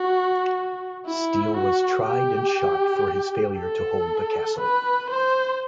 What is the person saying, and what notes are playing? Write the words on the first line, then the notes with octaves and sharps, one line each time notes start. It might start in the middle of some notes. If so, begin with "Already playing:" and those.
Steele was tried and shot for his failure to hold the castle.
Already playing: F#4
E4
F#4
G4
A4
B4
C5